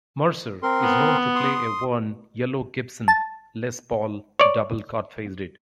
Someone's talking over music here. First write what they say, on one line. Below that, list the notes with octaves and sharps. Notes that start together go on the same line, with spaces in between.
Mercer is known to play a worn yellow Gibson Les Paul Double cut faded.
C4 A#4 C6
B3
C6 D#6
A5
C#5 D5